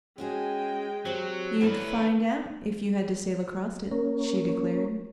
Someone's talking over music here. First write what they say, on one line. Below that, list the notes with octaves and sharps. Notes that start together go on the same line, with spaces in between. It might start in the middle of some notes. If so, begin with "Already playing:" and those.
"You'd find out, if you had to sail across it," she declared.
G#3 C#4 F#4 G#4 G5
F#3 C4 G4
D2 D3 E3 E4 A#4 B4 C#5
A#3 C#4 A#4